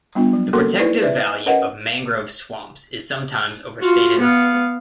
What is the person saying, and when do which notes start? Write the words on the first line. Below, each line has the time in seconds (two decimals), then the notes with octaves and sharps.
The protective value of mangrove swamps is sometimes overstated.
0.15 G3 B3 D4 F4
0.33 F#3
0.53 A#3 C#4 F#4 A4 A#4 C6
0.79 D#4 E4 B4 C5 D5
1.02 B4 C5 D5 E5
1.46 C#4 A#4 B4 C#5 D#5 F#5
3.81 F4 F#4
4.19 B3 F5